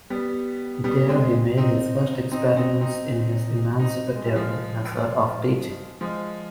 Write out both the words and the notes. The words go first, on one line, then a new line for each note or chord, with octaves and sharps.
There he made his first experiments in his "emancipatory" method of teaching.
G3 B3
G3 B3
G#3 C4
C4 D#4
C4 D#4
C4 D#4
C4 D#4
C4 D#4
G#3
G3
F3 G#3
F3 G#3